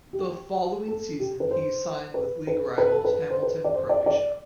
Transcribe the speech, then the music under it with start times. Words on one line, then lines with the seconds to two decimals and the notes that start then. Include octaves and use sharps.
The following season he signed with league rivals Hamilton Croatia.
0.13 G4
0.88 A4
1.19 G4
1.40 B4
1.51 C5
2.14 B4
2.47 B4
2.78 B4
2.92 A4
3.05 B4
3.30 C5
3.43 B4
3.64 D5
3.74 C5
3.89 D5
4.06 D5